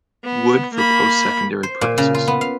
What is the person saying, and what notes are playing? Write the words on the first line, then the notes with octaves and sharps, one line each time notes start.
Wood for post-secondary purposes.
B3
A#3 B5
C5
A#2
C#3
F4
B3
F5